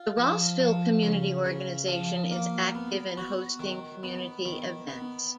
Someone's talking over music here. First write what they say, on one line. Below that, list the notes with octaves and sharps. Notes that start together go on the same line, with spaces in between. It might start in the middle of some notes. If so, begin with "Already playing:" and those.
The Rossville Community Organization is active in hosting community events.
Already playing: F4
F3
F3
C#3
C#3
F3
A#3
B3
F#4
D#3
B3
D#3
B3